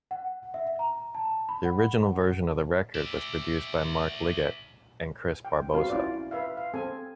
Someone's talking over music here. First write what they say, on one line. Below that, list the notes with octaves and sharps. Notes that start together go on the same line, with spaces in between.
The original version of the record was produced by Mark Liggett and Chris Barbosa.
F#5
E5
A#5
A5
B5
F#5
D5 E5
G5
G#3 C4 F#4 B4 F5
C#4 E4 F4 D5
B4 E5 F5
F5
C4 A4 G#5